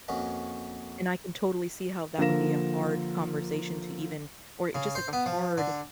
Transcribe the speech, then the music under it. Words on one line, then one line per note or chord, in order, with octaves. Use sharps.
And I can totally see how that would be a hard conversation to even or, eh, just like a hard,
F2 A#3 C#4 F#4 D#5
D3 F3 A#3 A#6 E7
C#3
C5
B3
F3
D3